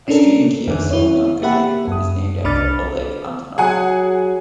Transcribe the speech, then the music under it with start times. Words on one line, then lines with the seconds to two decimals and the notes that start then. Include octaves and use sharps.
A street in Kiev's Solomyanka neighborhood is named after Oleg Antonov.
0.08 C#4 D4 A4 A#4
0.67 F2 D#3
0.91 E4 C#5
1.42 A#3 G4 E5 F#5 B5
1.88 F#2 D#6
2.44 C2 D4 B5 D6 F6 A6
3.58 F#3 G#4 F#5 G#5